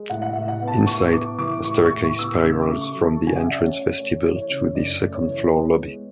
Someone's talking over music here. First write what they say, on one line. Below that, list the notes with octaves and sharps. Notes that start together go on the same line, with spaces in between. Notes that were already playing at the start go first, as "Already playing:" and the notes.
Inside, a staircase spirals from the entrance vestibule to the second-floor lobby.
Already playing: G#3
A2 F#5
F#5
E5
A2
F#5
B3
A5
A2 C#6
B3 D6
E3 D6
A2 C#6
C#6
A2
C#6
B3 E6
D6
C#3 E6
D6
A3
C#6
F#3
A5
C#3
G#5
F#5
E5
C#3 D5
C#5
A3
A3 C#5
E3
C#5
C#3
F#2 D5
A3
C#5
E3
B3
G#3